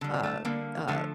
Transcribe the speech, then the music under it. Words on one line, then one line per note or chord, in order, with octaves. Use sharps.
uh uh
D3 G3
A3
D3 G3 A#3
D3 F3 A3